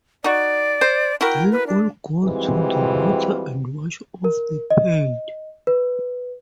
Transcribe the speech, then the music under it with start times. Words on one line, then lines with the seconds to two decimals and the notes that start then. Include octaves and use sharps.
They all go to the water and wash off the paint.
0.24 D#4 F#4 D5
0.81 C5
1.21 E4 F#4 A#4 G5
1.52 B4
1.67 D4
2.24 F2 E3 G3 G#3 C4 F#4
4.24 A#4
4.70 D#5
5.67 B4